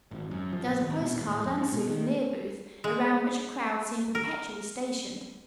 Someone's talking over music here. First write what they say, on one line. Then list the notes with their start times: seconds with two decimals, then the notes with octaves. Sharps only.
There was a postcard and souvenir booth, around which a crowd seemed perpetually stationed.
0.11 G#1
0.31 F#2
0.53 F3
0.65 A#1
0.80 G#1
1.00 B2
1.14 D#1
1.27 A2
1.44 F2
1.57 G#2
1.73 B2
1.88 D#3
2.84 G#3
4.15 A#4